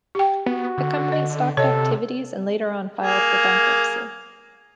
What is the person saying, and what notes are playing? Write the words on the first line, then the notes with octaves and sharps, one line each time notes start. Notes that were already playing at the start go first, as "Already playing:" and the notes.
The company stopped activities and later on filed for bankruptcy.
G4 G5
B3 F#4
D3
D#5
C3 A4 C#5 D#5
A#3 G#4